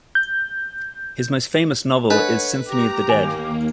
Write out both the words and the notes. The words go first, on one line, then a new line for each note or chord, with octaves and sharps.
His most famous novel is "Symphony of the Dead".
G6
D4 A4 B4 C#5 D#5 F#5
G4 G5 A#5 D6
D#2 A#3 G#5